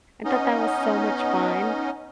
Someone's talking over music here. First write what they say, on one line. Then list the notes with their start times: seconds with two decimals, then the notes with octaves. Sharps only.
I thought that was so much fun,
0.25 B3 C#4 D#4 D#5